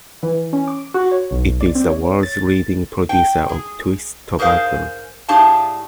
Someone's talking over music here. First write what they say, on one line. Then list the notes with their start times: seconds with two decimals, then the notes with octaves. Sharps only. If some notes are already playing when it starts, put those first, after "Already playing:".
It is the world's leading producer of twist tobacco.
0.23 E3
0.53 C#4
0.68 D6
0.94 F#4
1.11 C#5
1.31 B1
1.61 D5
1.75 C4
1.89 C#5
2.23 A6
3.09 G5
3.49 G#4
4.39 G#2 G#4 A#4 C5 F5
5.29 A2 D4 G4 G#4 F5 A5